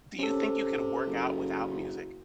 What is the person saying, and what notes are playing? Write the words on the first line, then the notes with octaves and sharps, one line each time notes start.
do you think you could work out without music?
C3 C#4 A4
F#1